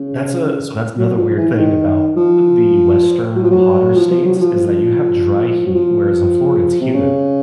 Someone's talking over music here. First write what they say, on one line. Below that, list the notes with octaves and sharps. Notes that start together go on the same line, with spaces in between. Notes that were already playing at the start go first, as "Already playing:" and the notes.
That's a so that's another weird thing about the Western hotter states is that you have dry heat, whereas in Florida, it's humid.
Already playing: C#3
F#3
F3
E3
D#3
F3
F#3
F3
F#3
F3
F3
F#3
F#3
F3
F3
F#3
F3
C3
C#3